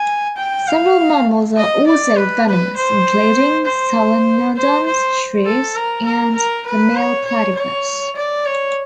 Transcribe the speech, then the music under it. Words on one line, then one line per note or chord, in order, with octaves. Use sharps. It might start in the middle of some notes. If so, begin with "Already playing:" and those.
Several mammals are also venomous, including solenodons, shrews, and the male platypus.
Already playing: G#5
G5
F5
D#5
D5
B4
B4
C5
C5
C5
C5
A4
A#4
A#4
A#4
B4
C#5
C#5
C#5
D5
C#5